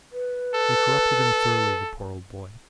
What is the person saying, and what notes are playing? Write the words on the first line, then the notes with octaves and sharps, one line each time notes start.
They corrupted him thoroughly, the poor old boy.
B4
A4